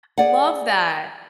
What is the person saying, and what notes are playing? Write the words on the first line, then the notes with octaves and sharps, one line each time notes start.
Love that.
G#4 D5 F#5